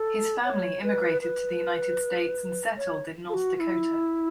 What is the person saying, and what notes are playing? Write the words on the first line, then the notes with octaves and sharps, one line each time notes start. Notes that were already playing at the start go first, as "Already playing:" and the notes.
His family immigrated to the United States and settled in North Dakota.
Already playing: A4
C#5
B4
B4
C#5
A4
F#4
F#4
E4